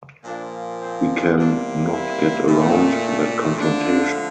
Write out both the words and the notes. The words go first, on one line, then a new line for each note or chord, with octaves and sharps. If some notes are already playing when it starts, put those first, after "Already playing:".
We can not get around that confrontation.
A#2 F3 A#3 D4
C4
C3 G3 A#3 D4
E4
A#2 A3
D3 F3 A3 D4